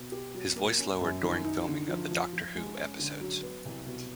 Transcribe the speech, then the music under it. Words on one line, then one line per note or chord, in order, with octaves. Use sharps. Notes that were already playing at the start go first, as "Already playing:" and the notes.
His voice lowered during filming of the "Doctor Who" episodes.
Already playing: B2
G4
F#3
A#3
C#4
F#2
D#3
D#4
D3
F3
F3
F3
G#3
C#4
D3
F#3
B3
C2
B2